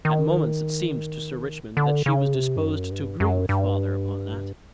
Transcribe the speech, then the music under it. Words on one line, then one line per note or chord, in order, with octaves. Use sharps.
At moments it seemed to Sir Richmond that she was disposed to agree with father upon that.
D#3
D3
C#3
C3
G2
F#2
G2
F#2
G2